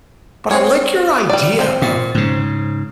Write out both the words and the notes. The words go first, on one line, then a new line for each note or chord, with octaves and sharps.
But I like your idea of
C4 C#5
G3 D5
C4 C5
A#2
G#2 C#3